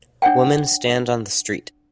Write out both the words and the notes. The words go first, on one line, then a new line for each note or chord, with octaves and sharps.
Women stand on the street.
D4 C#5 F#5 G5